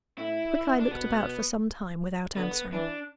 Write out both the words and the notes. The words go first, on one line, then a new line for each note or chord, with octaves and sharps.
Quickeye looked about for some time without answering.
A2 E4
D4
B2 B3
D3 B3
E3 D4